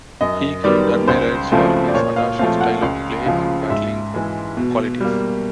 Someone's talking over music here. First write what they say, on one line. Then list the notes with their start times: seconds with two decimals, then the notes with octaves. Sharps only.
He gained admirers for his audacious style of play and battling qualities.
0.21 F#2 D#5
0.64 D#3 G3 B3 D5
1.08 C#2 C5
1.52 C#3 F3 A3 C4
1.88 D5
1.95 A#2 C#5
2.16 F5
2.39 F3 A3 C4 F5
2.61 F#5
2.82 C#2 F5
3.26 C#3 F3
3.70 G#2 E5
4.14 E3 G#3
4.57 B2
5.00 G3 A#3